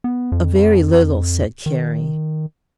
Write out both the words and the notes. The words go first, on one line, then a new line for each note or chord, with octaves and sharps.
"A very little," said Carrie.
B3
F2
D#3